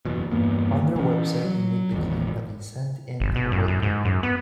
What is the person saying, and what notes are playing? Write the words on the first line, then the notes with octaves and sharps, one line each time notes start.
On their website, they make the claim that they sent in a white paper.
F#1 E2 B2
E2 G2 A#3 B3
E3 C#4
F#3
G#1 E2
G1
B2
F#2
F#2
G#2
F#2
B3